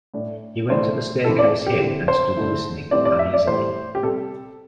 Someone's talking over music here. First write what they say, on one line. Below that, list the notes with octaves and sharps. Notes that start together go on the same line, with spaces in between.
He went to the staircase head and stood listening uneasily.
A2 A3 D4
A2 E3 A3 D4 C5
E3 C4 E4 A4
D5
G4
D3 C4 E4
C5
D3 A3 E4
A2 G3 C4 E4 D5
D5
E5
D5
A2 E3 G3 C5
G4
C3 G3 C4 A4